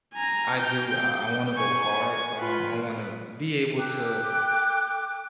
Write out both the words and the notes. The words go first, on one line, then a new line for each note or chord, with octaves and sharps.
I do, I I wanna go hard, um, I wanna be able to
G#5 A#5
G5 G6
G#5 C#6
F4 B4
A4 G5 D6 F#6